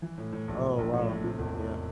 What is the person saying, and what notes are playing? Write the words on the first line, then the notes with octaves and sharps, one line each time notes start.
Oh, wow, yeah.
E3
A2
A2
A#1
A#1
A#1
A2
A2
C3
E1
E1